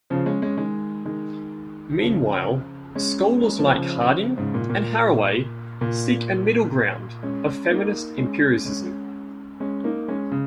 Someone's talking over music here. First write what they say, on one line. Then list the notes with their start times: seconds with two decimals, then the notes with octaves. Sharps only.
Meanwhile, scholars like Harding and Haraway seek a middle ground of feminist empiricism.
0.10 C#3 F3
0.26 G#3 C#4
0.42 G#3 C#4
0.57 D#3 G#3
1.05 D#3 G#3
2.00 C#3 F3
2.95 G#3 C#4
3.43 G#3 C#4
3.59 F3 A#3
3.74 C#3 F3
4.38 G#2 C#3
4.54 A#2
4.70 A#2
5.81 A#2
7.23 G#3 C#4
7.70 A#3 D#4
8.18 G#3 C#4
8.65 G#3 C#4
9.60 G#3 C#4
9.84 A#3 D#4
10.08 G#3 C#4
10.32 C#3